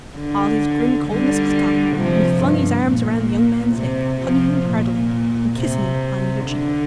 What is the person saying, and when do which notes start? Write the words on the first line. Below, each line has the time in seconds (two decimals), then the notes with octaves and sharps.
All his grim coldness was gone, and he flung his arms around the young man's neck, hugging him heartily, and kissing him upon either cheek.
0.18 D3
1.07 D3 G3
1.97 C3 F3
2.42 G2
2.87 A#2
3.76 C3
4.21 C3 F3
4.66 A#2
5.56 C3
6.45 D3